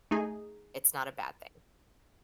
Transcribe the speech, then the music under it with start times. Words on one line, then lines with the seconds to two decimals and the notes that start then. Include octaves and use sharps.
It's not a bad thing.
0.11 A3 D#4 G#4